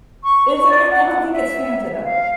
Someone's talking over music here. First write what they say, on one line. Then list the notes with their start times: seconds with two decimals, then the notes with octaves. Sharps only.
Is I I don't think it's Fanta though.
0.23 C#6
0.69 D5
0.91 F#5
1.32 E5
2.04 F5